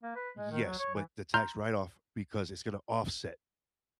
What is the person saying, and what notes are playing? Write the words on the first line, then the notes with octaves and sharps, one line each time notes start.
Yes, but the tax write-off because it's going to offset
A#3
B4
G#3
D#3
F#3
C#5
E3
A#5 C6 F6 G6